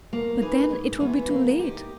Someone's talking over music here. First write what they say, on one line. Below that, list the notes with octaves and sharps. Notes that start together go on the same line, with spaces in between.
But then it will be too late!
A#3
D#4 G#4 B4
G#2
E3 G#3 B3
A#3
D#4 G4